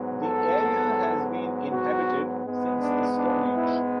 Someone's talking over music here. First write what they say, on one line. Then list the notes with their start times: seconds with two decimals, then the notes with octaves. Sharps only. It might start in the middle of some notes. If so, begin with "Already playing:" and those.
The area has been inhabited since the Stone Age.
Already playing: G#2 F#3 B3
0.24 A4
1.71 F#4
2.44 G#2 G#3 B3
2.80 D4
3.17 D4
3.54 E4